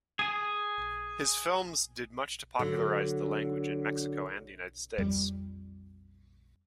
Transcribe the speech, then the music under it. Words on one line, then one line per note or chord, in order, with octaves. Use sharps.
His films did much to popularize the language in Mexico and the United States.
G#4 G#5
D3 F#3
F2 G3